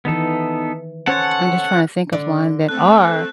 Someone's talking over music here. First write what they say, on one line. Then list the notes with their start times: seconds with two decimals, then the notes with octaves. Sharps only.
I'm just trying to think of one that are
0.05 D#3 E3 B3 D#4 A4
1.07 C#4 A4 C5 C#5 F#5 A5
2.12 D3 D5
2.69 A3 C4 A4 F#6